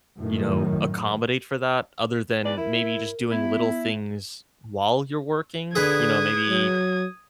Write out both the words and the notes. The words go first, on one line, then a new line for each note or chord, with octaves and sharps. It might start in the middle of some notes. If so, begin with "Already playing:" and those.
you know, accommodate for that other than maybe just doing little things while you're working. You know, maybe,
F#2 A2 D#3
E2 B4 D5
E4 A#4
B3 E4
D3 G#4 B4 D#6 G#6
F#3